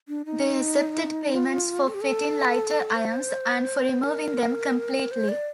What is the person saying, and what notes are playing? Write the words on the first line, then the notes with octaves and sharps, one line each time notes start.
They accepted payments for fitting lighter irons and for removing them completely.
D4
D#4
F4
A4
G4
A4
C5
A#4
C5
D5